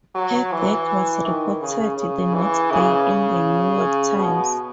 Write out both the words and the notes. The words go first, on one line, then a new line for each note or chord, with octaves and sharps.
Her death was reported the next day in the "New York Times".
F#3
E3
D#3
C#3
C#3
E3
C#3
B2